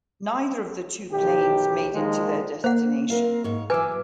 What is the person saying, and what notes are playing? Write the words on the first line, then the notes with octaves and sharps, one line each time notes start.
Neither of the two planes made it to their destination.
B1 D#3 G4
A#1 D#3 F3 G#3
A#3 C5 F#5
C4 A#4 F5
G#2 C#5
E3 F#3 B4 G#5 D6 E6